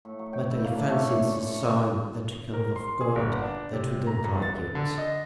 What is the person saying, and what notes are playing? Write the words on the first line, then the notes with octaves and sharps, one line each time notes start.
But I fancy it's a sign that we come of God that we don't like it.
A2
F#3
G5
E4
A#3
D4
A3
C#5
F#2
C#6
C#6
A#4
C6
G#4
G1
D4
C3
A#5
G2
A6
D3
D#5